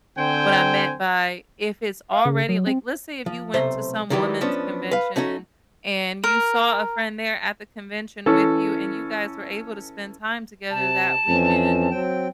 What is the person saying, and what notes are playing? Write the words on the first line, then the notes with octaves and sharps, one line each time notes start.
what I meant by if it's already like let's say if you went to some woman's convention and you saw a friend there at the convention with you and you guys were able to spend time together that weekend,
D3 C4 C5 G5 G#5
F5
C#3
F#3
C4
F3
B1 C3 A3 C5 E5
D#3 E3 F#3 G3 G4
F3 B3 C#4 D4
B4 F5
A3 C#4 D#4 F#4
A#4
E3 C#4 A4
C3 A5
F2 E3 C4 C#4
F#3 C4 G5